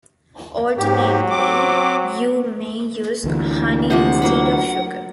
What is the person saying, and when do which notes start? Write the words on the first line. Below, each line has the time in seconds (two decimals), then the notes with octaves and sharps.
Alternately, you may use honey instead of sugar.
0.77 G#2 F#3 G4
1.30 C4 D6
3.24 D2 E3
3.90 C3 F3 A#3 F#5
4.22 F#3 A#3 B5